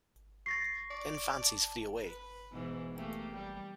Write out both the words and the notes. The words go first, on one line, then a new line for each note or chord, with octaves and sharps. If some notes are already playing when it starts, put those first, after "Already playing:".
Then fancies flee away!
C#6 A6 A#6 C7
D5
A5
B4
G#2 B2 E3
A3 A#3 G4
G3